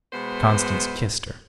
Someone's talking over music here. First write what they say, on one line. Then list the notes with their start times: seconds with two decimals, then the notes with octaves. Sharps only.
Constance kissed her.
0.13 B2 G#3 B3 C5 E5 B5